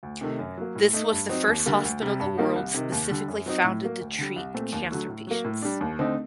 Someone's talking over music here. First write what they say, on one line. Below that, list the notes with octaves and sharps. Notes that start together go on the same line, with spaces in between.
This was the first hospital in the world specifically founded to treat cancer patients.
D2
C3 D#3 A3
F#2
F#3 A#3
A2
A3 D#4
G2
F#3 C4 D#4
D#2
D3 G3 A#3
D2
C3 G3
G2
D#3 G3 A#3 D#4
C2
C3 D#3
D#2
D3 G3
F#2
F#3 C4 D#4
A2
F#3 A#3
D2
D3 G3
C2
A#2 A3 C4
D#2
D3 F#3 A3
A2
F#3 A#3
A2
G3 D4
D#2
D3 A3 C4 D#4